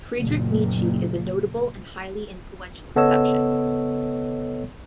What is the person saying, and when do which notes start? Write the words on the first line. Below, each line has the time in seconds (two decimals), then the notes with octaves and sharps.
Friedrich Nietzsche is a notable and highly influential exception.
0.20 F#1 A#2
2.96 C#3 B3 A4 C#5 D#5 E6